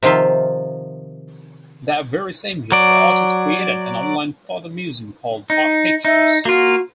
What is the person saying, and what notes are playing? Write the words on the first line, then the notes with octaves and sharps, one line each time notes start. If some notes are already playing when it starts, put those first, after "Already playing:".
That very same year, the artist created an online photo museum called "Hot Pictures".
C3 D#3 F3 F4 E5
F#3 D5
D#4
D#4 E5
A#3 F4 F#4